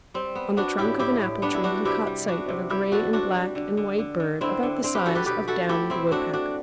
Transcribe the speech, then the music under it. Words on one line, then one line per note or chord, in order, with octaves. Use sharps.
On the trunk of an apple-tree he caught sight of a gray and black and white bird about the size of Downy the Woodpecker.
G3 C4
B3
B3 D4 F#4
A2 E4 G4
A2 E4 G4
A2
G3 B3 D4
E4
G3 D4 F#4
C3 E4 G4
G3
B3 D4 F#4
C3
G3 E4 G4
C3 F#4 A4
C3 D4 F#4
G3
D3
D3
D3
D3
D3 C4 E4
D3
D3 C4
G4 B4
D3 F#4 A4
G4 B4
B2 G4 B4
A3 F#4 A4
A3 E4 G4
B2 C4 E4
A3 D4 F#4
A3 D4 F#4